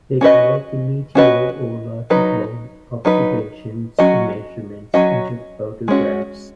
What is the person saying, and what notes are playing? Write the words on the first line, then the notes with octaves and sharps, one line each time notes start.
They collected meteorological observations and measurements and took photographs.
C#4 F#4 B4 D#5
C#4 F#4 B4 D#5
F#3 D#4 B4
F#3 D#4 B4
F#3 C#4 F#4 D#5
F#3 C#4 F#4 D#5
G#3 C#4 F#4